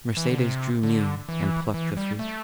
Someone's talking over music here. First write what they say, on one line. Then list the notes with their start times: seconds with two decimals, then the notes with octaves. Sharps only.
Mercedes drew near, and plucked the fruit.
0.17 E3
0.27 D3
0.38 C3
0.83 D3
1.29 E3
1.74 E3
1.97 G3
2.19 A3